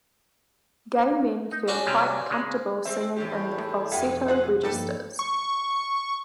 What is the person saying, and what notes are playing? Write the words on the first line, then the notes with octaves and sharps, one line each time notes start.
Gay men feel quite comfortable singing in their falsetto registers.
D#4
C#4 D4 F#4
C3 G3 G#3
C#3 G#3
A#2 G#3 C4 E5
E2 A2 G4
E3 A3
F1 A#2 E5 F#5 G5
F4 G#4 C5 F#5
G2 F3 A#3 D#4 G4 A4 B4
C#6